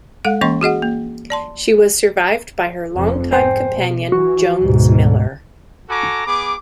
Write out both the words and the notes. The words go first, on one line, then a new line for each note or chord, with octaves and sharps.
She was survived by her longtime companion, Jones Miller.
G#3 A4 F5 F#5
E3 A#3 C#4 D#5 C6 C#6
F#4 G#4 D#5 F#5
A#3
D5 A5 C6
F1 F2
G#2 C5 G5 G#5
B2
E3 F#4
D2 G#2 B2
F#4 A4 G#5 A#5 D6
B3 G#4 B5 D6